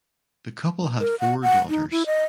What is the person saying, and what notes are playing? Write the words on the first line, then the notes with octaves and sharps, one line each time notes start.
The couple had four daughters.
A#4
F#5
F#5
D#4
E4
D#5